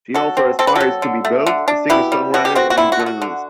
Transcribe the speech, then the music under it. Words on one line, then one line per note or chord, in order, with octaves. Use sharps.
She also aspires to be both a singer-songwriter and a journalist.
F#3 F#4 A4
C4
C4 A4
B4
F#3 F#4 A4
D3
A3
D3
D4
B2 E4 G4
G3
B2 F#4
G4
C4 F#4
F#4
D3 E4
F#4
A3
F#4
D3